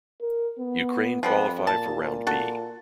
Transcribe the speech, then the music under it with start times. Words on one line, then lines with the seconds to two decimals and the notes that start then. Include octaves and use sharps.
Ukraine qualify for Round B.
0.21 A#4
0.59 B3
1.23 F2 F3 G3 B3
1.67 A#2 A5
2.27 F#4 A4